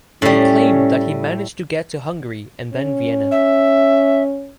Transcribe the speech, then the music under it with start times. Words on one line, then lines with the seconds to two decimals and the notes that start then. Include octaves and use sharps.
He claimed that he managed to get to Hungary and then Vienna.
0.22 A2 G3 C#4
2.73 C#4
3.31 E5